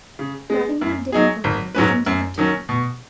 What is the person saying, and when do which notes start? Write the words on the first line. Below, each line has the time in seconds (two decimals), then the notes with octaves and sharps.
Nothing that dame from her was indifferent to me.
0.19 C#3
0.50 G#3 B3
0.81 F#2
1.12 F#3 D#4 G#4
1.44 G#1
1.75 G#2 F#3 C#4 B4
2.06 F#2
2.38 D#3 F#3 C#4
2.69 B2